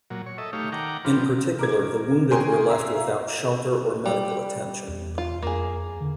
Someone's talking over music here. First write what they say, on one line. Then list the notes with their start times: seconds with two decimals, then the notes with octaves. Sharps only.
In particular, the wounded were left without shelter or medical attention.
0.10 A#2 F#3
0.26 C#5
0.38 A4 D#5 E5
0.53 A3 D#4 G4 C#5 F5
0.72 D#3 F#5 G5 A#5 D6
1.05 D3 F3 B3 C4 F4 G4
1.59 A#4 D6 G#6
2.31 G#4 A#4 C#5 G5 G#5 C6
2.70 E5 F5 A#5
4.06 G3
4.88 E2
5.18 F4
5.42 F2 A#3 G#4
6.00 D3